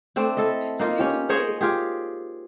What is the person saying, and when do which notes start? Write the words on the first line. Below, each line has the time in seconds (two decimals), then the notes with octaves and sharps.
she was like,
0.16 A3 C4 D4
0.37 E4 A4 D#5
0.79 A#3 D#4 F4
0.99 C#4 G4
1.29 G#4 C5 C#5 D#5
1.61 F4 G4 G#4